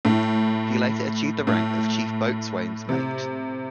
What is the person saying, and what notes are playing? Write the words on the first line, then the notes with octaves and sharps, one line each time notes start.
He later achieved the rank of Chief Boatswain's Mate.
A2
A2
C3